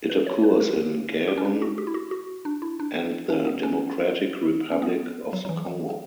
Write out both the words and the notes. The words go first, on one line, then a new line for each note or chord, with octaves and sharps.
It occurs in Gabon and the Democratic Republic of the Congo.
B4
C#5
B4
A#4
G4
C#4
D4
F#4
G4
E4
F#4
F#4
D4
E4
D4
C#4
B3
C#4
C#4
B3
F#3
F#3
E3
F#3